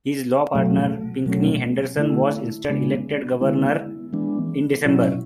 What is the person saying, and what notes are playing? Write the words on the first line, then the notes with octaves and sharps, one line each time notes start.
His law partner, Pinckney Henderson, was instead elected governor in December.
B2 F#3 A3
B2 F#3 A3 C#4
D3 A3 E4
C#3 G#3 B3 D4
D3 G#3 B3 E4
E3 G#3 B3 D4
B2 F#3 C#4 E4